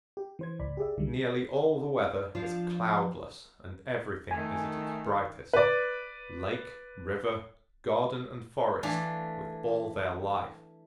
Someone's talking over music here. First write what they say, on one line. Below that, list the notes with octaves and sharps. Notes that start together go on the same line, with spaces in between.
Nearly all the weather is cloudless and everything is at its brightest--lake, river, garden and forest with all their life.
G4
E3 C5 G#6
G#1 C#2 D5 B5
G4 G#4 D5 E5
C2 D3 D#3 G3
F3 D4 F4
D#3 A3 G#5
B4 D5
E3 A3 D4 F5